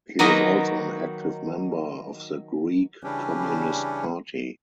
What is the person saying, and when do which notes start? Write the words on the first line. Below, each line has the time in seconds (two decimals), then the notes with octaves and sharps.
He was also an active member of the Greek Communist Party.
0.19 D#3 F#3 A#3 D#4 B4 D#5
3.04 C#3 E3 G3 C#4 D4 G4